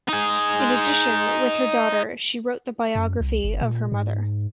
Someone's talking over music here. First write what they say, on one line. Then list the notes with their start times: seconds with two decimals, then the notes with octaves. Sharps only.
In addition, with her daughter, she wrote the biography of her mother.
0.09 D#4 G#4
2.95 F#2
3.20 C2
3.44 G1
3.61 A#2
3.92 G#2